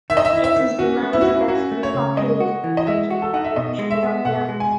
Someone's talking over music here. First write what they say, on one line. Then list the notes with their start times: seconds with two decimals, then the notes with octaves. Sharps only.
It is the most densely populated region in British Columbia.
0.10 D#3 E5
0.17 D#5
0.25 E5
0.33 E4
0.44 E5
0.56 D#3
0.79 C#4 F#4
1.03 A3
1.13 E4
1.21 F#4
1.26 C#4 E4
1.48 C#4 F#4
1.71 A3
1.83 C#5
1.94 C#3
2.17 G#3 D#5
2.40 F#4
2.64 E3
2.77 D#5
2.87 G#3 E5
3.11 F#4
3.22 A4
3.34 D#4 F#5
3.44 E5
3.56 B2 D#5
3.79 G#3
3.91 E5
4.03 B3
4.25 B2 F#5
4.49 G#3
4.60 G#5